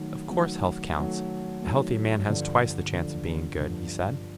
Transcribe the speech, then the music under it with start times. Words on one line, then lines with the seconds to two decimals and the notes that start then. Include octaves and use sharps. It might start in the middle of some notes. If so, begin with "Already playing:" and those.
"Of course health counts--a healthy man has twice the chance of being good," he said.
Already playing: D#3 F#3 A3
0.31 D#3 F#3 A3
0.97 D#3 F#3 A3
1.62 D#3 F#3 A3
2.28 G2 D3 F3
2.94 G2 D3 F3
3.59 G2 D3 F3